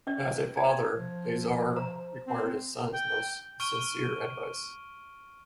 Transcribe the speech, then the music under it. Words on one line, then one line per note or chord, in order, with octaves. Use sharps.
As a father, Azar required his son's most sincere advice.
C#4 D5
G#6
F3
C5 A#5
C4
G5
C#6 F6 D7 D#7 G7